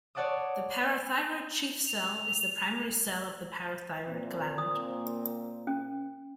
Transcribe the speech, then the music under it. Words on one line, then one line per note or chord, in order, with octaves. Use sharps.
The parathyroid chief cell is the primary cell of the parathyroid gland.
C#5 D5 F#5 A5 D6 D#6
F7
A#2 A#3 C4
D#6
C#4